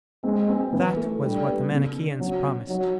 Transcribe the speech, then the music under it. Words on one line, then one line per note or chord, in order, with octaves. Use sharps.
That was what the Manicheans promised.
G#3 C4
C4
E3
A3
G3 D4
B3
C#3
D4
F#3 C4
C4
F#3 D#4